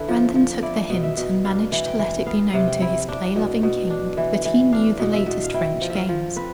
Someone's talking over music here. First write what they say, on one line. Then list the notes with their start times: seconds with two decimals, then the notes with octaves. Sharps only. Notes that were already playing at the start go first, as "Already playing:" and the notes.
Brandon took the hint and managed to let it be known to his play-loving king that he knew the latest French games.
Already playing: D3 D4 E4 A4 B4
0.08 F3
0.35 F3
0.62 E4 D5
0.90 B2
1.03 E5
1.17 B2
1.44 D4 F5
1.72 E3
1.86 G5
1.99 E3
2.26 B3 F5
2.54 C3
2.68 G5
2.82 E4
3.08 D4 G5
3.36 B2
3.63 B2
3.90 D4
4.17 E3
4.45 E3
4.72 D4 F5
5.00 B2
5.13 E5
5.26 B2
5.44 F5
5.54 E4 G5
5.82 F3
5.90 E5
5.95 F5
6.09 F3
6.36 C4 B4